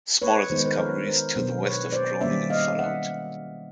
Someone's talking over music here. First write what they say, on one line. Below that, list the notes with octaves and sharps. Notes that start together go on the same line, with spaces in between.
Smaller discoveries to the west of Groningen followed.
B4 C#5
D#3 G#3 B3 D#4 C5
B4
A#4 C5
B4 C#5
A#4 C5
B2 F#3 B3 D4 A#4 C5
B4 C#5
C5 D5
D#3 G3 A#3 C#4 D5 E5
D#5 F5
E5 F#5